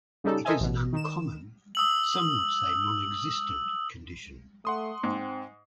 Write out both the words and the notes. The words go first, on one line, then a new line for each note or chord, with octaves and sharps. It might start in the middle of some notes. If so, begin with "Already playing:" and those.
It is an uncommon, some would say nonexistent, condition.
C#3 G3 D#4 A4
A4 A#4 C5 D#5 E5 G#5
A1 B2
D#3 E7
D#6 E6 F#7
A3 F#5 C6 D#6
G#2 C4